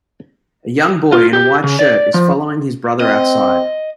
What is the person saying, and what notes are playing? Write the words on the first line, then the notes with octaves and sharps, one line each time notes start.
A young boy in a white shirt is following his brother outside.
F4
G4
C#3
D5
F3
C4 D#5